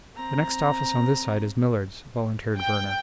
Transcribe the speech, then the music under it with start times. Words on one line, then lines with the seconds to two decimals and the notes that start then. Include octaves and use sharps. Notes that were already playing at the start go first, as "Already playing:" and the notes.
"The next office on this side is Millard's," volunteered Werner.
0.16 C4 A#5
2.56 G5